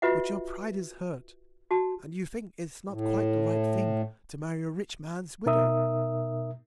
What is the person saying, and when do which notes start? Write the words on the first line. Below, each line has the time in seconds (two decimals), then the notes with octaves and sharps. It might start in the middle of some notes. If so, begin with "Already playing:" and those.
But your pride is hurt, and you think it's not quite the right thing to marry a rich man's widow.
0.02 F4 F#4 B4 D#5 E5 F#5
1.71 F#4 A5
2.90 A2
5.46 B2 D#4 A#4 E5 D#6